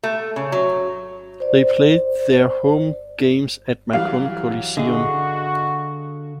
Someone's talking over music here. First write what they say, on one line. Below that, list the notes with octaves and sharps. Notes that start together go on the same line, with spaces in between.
They played their home games at Macon Coliseum.
A3
C#3
F#3
C5 D5
E3 F#3 G3 F5
D3 F#4 G#4 D#5